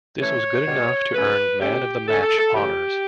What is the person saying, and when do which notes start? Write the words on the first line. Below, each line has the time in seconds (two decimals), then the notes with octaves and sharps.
This was good enough to earn Man of the Match honours.
0.20 E3 A3 C#4 C#5
0.66 B2 G3 B3
1.13 C#3 F#3 A3 C#4 B4
1.60 D3 A3 C#4 G4
2.07 D3 A3 C#4 A4
2.22 A4
2.38 A4
2.53 C#3 E3 A3 G4